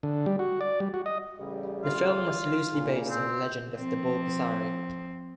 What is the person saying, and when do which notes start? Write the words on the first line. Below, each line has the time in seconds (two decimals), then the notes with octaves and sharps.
The film was loosely based on the legend of the Bulgasari.
0.03 D3
0.26 G3
0.39 F#4
0.61 D5
0.80 G3
0.94 F#4
1.06 D#5
1.39 A1 C#3 G3
1.84 F4
2.71 A#2 C#3
3.09 C4
3.77 F3 C4